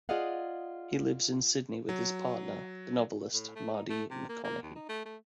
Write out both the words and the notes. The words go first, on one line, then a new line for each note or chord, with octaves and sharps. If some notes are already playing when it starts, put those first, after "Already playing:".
He lives in Sydney with his partner, the novelist Mardi McConnochie.
F4 G#4 D5 D#5 F5 F#5
F#3
A2
A3
D#4
A3
C3
A#3
A#3
D#2
D#4
A3
A3